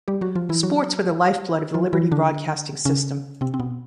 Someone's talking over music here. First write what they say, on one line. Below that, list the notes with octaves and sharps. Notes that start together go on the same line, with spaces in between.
Sports were the lifeblood of the Liberty Broadcasting System.
G3 G4
F#3 F#4
F3 F4
E3 E4
F#3 F#4
F3 F4
E3 E4
D3 D4
C#3 C#4
C3 C4
C4
B2 B3